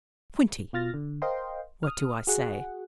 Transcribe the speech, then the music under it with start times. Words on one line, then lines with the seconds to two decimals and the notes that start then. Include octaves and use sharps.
Twenty! what do I say?
0.73 B2 F4 F6 A6 A#6
0.94 D3
1.22 A#4 C5 D#5 F5 G5 C6
1.83 D#6 F6
2.27 F#4 G#4 F#5